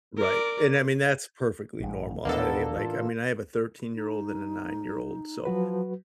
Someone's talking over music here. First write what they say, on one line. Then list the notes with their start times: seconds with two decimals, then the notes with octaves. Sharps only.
Right, and, I mean, that's perfectly normal. I, like, I mean, I have a thirteen-year-old and a nine-year-old, so
0.17 A#4 D5
1.80 A1 G#2 B2
2.25 D#2 A#2 E3 A#3 B3 D4 A4
2.76 A2 E3 F4
3.95 D#4
5.45 F3 F#3 F#4 B4